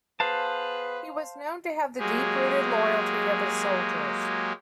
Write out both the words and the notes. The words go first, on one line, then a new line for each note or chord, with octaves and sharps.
He was known to have the "deep rooted" loyalty of his soldiers.
B3 G#4 B4 C5 F5 A5
F#3 G#3 A#3 G4 G#4